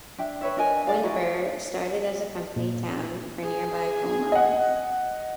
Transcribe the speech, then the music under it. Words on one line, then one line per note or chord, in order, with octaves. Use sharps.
Windber started as a company town for nearby coal mines.
D4 E5 G5
B4 C#5 E5
D4 A#4 D#5 G#5
G#4 D5 F5
E4 F#4 A#4
A#2
G#4
D#5 F#5